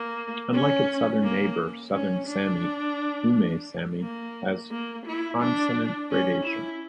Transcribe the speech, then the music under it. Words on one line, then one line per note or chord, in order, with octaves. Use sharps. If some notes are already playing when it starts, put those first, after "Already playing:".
Unlike its southern neighbor Southern Sami, Ume Sami has consonant gradation.
Already playing: A#3
C#4
A#3
C#4
D4
A#3
A#3
E4
D4
C#4
E4